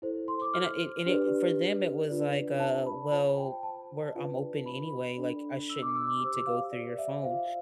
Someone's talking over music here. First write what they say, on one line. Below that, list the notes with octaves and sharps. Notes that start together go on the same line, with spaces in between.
and I and it and it for them, it was like, uh, "Well, we're I'm open anyway, like, I shouldn't need to go through your phone,"
E4 A4 C5
C6
D6
F6
D4 G4 B4 D5
D4 F4 B4 D5
A5
B5
F4 C5 A5
G5
A5
D4 F4 B4 D5
B5
D4 A4 D5
E6
D6
E6
D6
G4 C5 E6
D6
F5
D5
E5
F4 C5 F5